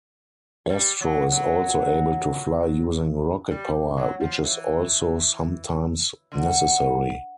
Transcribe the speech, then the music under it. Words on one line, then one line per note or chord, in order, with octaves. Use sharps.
Astro is also able to fly using rocket power, which is also sometimes necessary.
G3
F#3
F#3
G3
F#3
F3
E3
D3